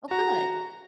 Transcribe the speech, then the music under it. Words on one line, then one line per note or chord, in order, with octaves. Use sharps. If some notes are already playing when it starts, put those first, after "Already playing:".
Oh, good.
F#4 A#5